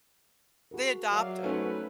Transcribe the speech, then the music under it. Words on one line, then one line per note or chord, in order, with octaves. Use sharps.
They adopted.
F#4 G#4 A#4
F#3 D5 E5 F5
A3 C#4 D#4 B4 C5